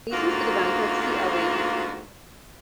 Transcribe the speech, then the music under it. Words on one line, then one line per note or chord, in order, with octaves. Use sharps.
Reasons for the bankruptcy are varied.
D2 G#2 A#3 F4 F#4